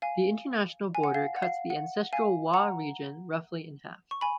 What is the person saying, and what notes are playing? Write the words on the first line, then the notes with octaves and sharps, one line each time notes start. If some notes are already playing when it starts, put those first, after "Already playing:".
The international border cuts the ancestral Wa region roughly in half.
F5 G#5
G#5
F#5
F5
F#5
F5
F#5
F5 G#5
F#5 A#5
C#6
G#5 B5